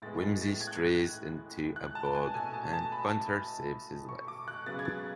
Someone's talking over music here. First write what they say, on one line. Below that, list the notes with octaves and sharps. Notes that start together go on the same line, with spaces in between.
Wimsey strays into a bog, and Bunter saves his life.
A2 G#3 B3 A6
A6
A6
G#6
F#6
G#6
F#6
A5
G#5
B2 A3 G#5
A5
A5
B5
C#6
D6
F#6
C#3 F#3 B3 A6
G#6
A6